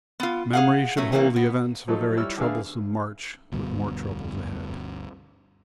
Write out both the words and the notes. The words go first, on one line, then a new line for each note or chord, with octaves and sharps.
Memory should hold the events of a very troublesome march with more troubles ahead.
B3 F4
G#4 F5 F#5
F#3 A3 C#4
C#3 E3 G3 A3 A#3
B3
F3 F#3 D#4 A4
G3 E4 C#5 E6 F6
D3 A3 B3 G#4 E5 F5
G1 D2 G2 B2